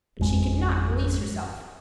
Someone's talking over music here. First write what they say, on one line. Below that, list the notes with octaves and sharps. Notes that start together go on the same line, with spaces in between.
But she could not release herself.
G#1 F2 G#3